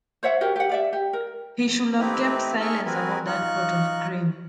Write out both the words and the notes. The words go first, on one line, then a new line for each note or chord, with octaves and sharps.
He should have kept silence about that pot of cream.
C5 C#5 E5 F#5
F#4 G4 A#4
G4 F#5
G4 D5 E5
G4
A#4
A3 C4 D#4 E4 G4 B4
D#4 G#4 E5 A5 C#6 F6
C4 F#4 A#4 B4 G#5
D#4 F4 C#6 F#6